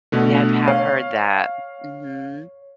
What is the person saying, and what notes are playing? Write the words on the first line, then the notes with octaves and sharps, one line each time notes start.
Yeah, I've have heard that. Mhm.
B2 D3 A3
C#5 F5